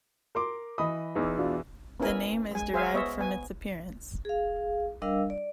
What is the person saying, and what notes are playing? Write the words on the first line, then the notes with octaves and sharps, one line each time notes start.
The name is derived from its appearance.
A#4 C6 D6
E3 D#5 B5 D#6
E2 E3 D#4
B2 D4 F4
B3 C#4 E4 A#4 G#5
G#3 G#5
G#4 C5 E5 F5 G#5
B3 C#5 D#5 E5
B3 G#5
G#4 F5
G3 D4 A#4 D#5 F5 E6
D5